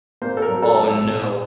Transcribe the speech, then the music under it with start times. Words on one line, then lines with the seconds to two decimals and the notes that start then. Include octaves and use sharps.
Oh, no.
0.22 A#3 C5
0.37 A4
0.42 A#4
0.48 F#3
0.62 A4
0.77 F#3
0.84 A4
1.05 A#2